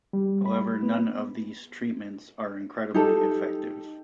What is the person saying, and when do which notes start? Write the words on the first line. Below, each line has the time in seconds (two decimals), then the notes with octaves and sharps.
However, none of these treatments are incredibly effective.
0.13 G3
0.46 B5
0.83 B3
2.94 D#4 G4 A4